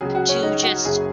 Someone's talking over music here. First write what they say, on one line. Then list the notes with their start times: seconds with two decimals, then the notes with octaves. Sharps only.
to, just,
0.01 C#2 C#3 F#3 G#4
0.15 F#4
0.29 C#4
0.43 D#4
0.63 F#4
0.85 F#1 F#2 C#3 F#3 G#4